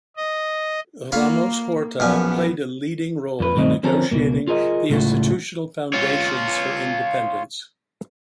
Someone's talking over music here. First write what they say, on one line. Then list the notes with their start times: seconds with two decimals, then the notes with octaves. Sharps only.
Ramos-Horta played a leading role in negotiating the institutional foundations for independence.
0.17 D#5
1.12 A#3 F4 C#5 B5
2.00 A#1 F#2 B3 C#4
3.40 F2 B4
3.55 B1 G2 D#3 A3 C4 D#5
3.83 D3 F3 C4 C#4 A4 A#4
4.11 C#2 F#2 B2 A#3
4.48 F4 G#4 A#4 D#5
4.90 C#2 A2 C#3 A3 F4 F#4
5.94 F4 C#5